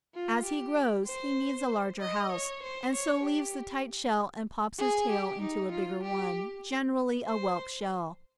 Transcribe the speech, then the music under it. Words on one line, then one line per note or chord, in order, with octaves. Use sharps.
As he grows he needs a larger house, and so leaves the tight shell and pops his tail into a bigger one, generally a whelk shell.
F4
G4
C5
D#5
C#5
C5
C#5
G4
G#4
G4
D#4
F4
G4
C5